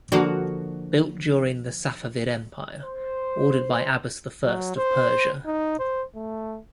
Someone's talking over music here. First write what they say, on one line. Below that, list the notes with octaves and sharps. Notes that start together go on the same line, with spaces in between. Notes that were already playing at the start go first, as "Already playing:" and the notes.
Built during the Safavid Empire, ordered by Abbas the First of Persia.
D3 F3 A#3 F#4
C5
F#3
C5
D#4
C5
A3